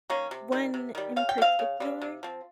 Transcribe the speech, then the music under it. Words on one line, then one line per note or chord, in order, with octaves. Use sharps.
one in particular,
D#3 A#3 C#4
C3
D#3 G3
C3
D#3 G3
C#3 F5
G5
G3
C4 F5
C#3
G3 C4
C3
F3 C4